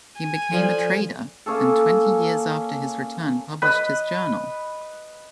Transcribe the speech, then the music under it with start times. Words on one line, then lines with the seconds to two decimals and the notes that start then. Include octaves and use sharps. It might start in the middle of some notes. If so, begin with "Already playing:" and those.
He became a trader, and twenty years after his return published his journal.
0.19 G#5
0.51 F3 A4 D5
1.46 A#3 C#4 G#4 A4
3.62 B4 D#5